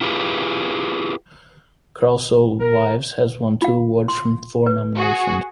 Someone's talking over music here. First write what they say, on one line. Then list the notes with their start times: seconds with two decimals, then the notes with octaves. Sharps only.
Carlso Vives has won two awards from four nominations.
0.01 E4 F4 G4 G#4 B4
2.60 A#4
3.62 F4 F5
4.08 C6
4.66 B4
4.96 F#4 G#4